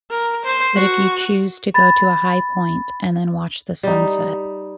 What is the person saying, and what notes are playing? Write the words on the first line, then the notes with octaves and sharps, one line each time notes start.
But if you choose to go to a high point and then watch the sunset,
A#4
C5
F#4
B5 A6
G3 D#4